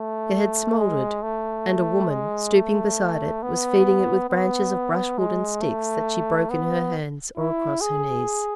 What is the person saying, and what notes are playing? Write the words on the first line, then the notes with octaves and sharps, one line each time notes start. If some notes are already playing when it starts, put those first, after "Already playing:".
It had smouldered; and a woman, stooping beside it, was feeding it with branches of brushwood and sticks that she broke in her hands or across her knees.
Already playing: A3
G#3
A3
G#3
A3
B3
B3
G#3
A3
B3
E4
G#4